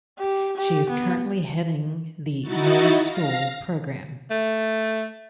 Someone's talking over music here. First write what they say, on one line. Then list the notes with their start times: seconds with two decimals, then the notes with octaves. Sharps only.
She is currently heading the "Mo school" programme.
0.19 G4
0.57 G4
0.90 B3
2.41 D#4 E4 F#4 A6
3.05 F5 A#6
4.31 A3